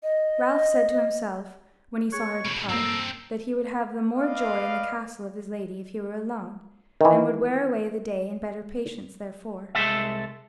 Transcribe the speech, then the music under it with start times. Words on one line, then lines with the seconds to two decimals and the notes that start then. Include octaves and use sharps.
Ralph said to himself, when he saw her depart, that he would have the more joy in the castle of his Lady if he were alone, and would wear away the day in better patience therefor.
0.03 D#5
2.12 G#4 C#5 C#6 F#6
2.45 B2 D3
2.69 G2 A#3 C4 D4 A4 A#5
4.16 B4 D5 D#5 F5
7.01 D#3 E3
9.75 C2 G#3 A4 E5